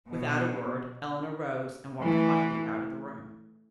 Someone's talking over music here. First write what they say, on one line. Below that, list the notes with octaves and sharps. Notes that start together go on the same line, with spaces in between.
Without a word Eleanor rose and walked haughtily out of the room.
B2
E3 A3